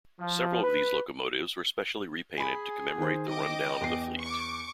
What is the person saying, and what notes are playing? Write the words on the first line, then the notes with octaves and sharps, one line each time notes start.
Several of these locomotives were specially repainted to commemorate the run-down of the fleet.
F3
B4
G#4 G#5 B5
D#3 C5
D#5 G5 D6
E2 C7
C#6 D6